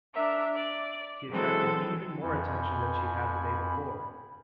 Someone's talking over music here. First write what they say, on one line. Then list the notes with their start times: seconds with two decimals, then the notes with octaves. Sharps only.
She attracted even more attention than she had the day before.
0.14 D4 A#4 E5
0.54 D5
1.28 E3 F#3 G#3 C4 A4
2.22 F2 G#5 B5